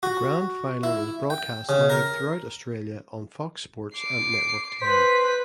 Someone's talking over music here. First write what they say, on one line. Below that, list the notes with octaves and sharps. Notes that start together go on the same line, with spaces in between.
The Grand Final was broadcast live throughout Australia on Fox Sports and Network Ten.
F#4
E4
G5
C#3
A#4
D6 C7
B4 C5 B6